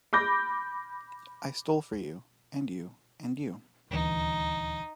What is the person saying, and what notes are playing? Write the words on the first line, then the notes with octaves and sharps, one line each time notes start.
I stole for you, and you, and you.
B5 D6 G6 A#6
D#1 D2 E3 D#4